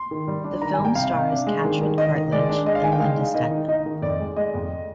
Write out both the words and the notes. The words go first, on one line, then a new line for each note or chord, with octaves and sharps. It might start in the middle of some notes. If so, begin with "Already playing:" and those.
The film stars Katrin Cartlidge and Lynda Steadman.
Already playing: C6
D#3
G3
D4
D#3 A#5
G#5
G3
G5
C3 F5
C3
D4
G#3
D#3
D#3
D#3 D#5
D#3
G#3 D5
D4
G#3 D#5
F5
D#3 G#5
G5
G#3 F5
D#4
D#3 D#5
D#4
D#4 D#5
D#3
F2 D5
G#3
G#3 D#5
F2